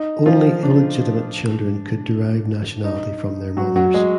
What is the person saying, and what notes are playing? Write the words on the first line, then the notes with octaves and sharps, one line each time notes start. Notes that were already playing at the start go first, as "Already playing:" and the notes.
Only illegitimate children could derive nationality from their mothers.
Already playing: D#4
F3 F4
D4
D#4
F#3 F#4
F#3 F#4
G#3 G#4